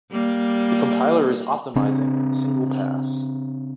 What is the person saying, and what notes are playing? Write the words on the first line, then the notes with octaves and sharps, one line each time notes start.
The compiler is optimizing and single pass.
G3 A#3
C#3 C4 D4